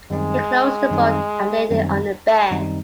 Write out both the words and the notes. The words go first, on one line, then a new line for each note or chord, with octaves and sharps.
He closed the book, and laid it on the bed.
F#2 D#3 G3 G#3 C4 D#4
F#2 D#3 G3 C4 D#4
F#2 D#3 G3 C4 D#4
F#2 D#3 G3 C4 D#4